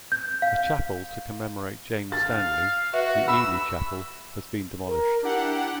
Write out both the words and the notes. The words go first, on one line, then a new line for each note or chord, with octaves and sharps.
A chapel to commemorate James Stanley, the Ely Chapel, has been demolished.
G6
F5
F5 A6
F#4 B4 E5
B5 E6
A#4
D4 E4 G4 F#5